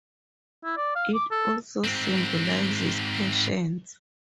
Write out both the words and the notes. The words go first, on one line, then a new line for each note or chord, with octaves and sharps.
It also symbolizes patience.
E4
D5
F5
D6
A4
G#2 C4